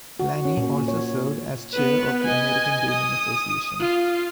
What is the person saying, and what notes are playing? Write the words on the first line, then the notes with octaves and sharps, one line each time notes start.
Lanni also served as Chair of the American Gaming Association.
F#4
C#4
A#2
C#5
B3 B4
D#5 G#5
D#6
F4